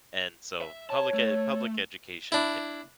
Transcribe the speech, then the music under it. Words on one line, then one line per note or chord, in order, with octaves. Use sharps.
and so public ed public education can
E5
C#5 A5
A3
D4 E4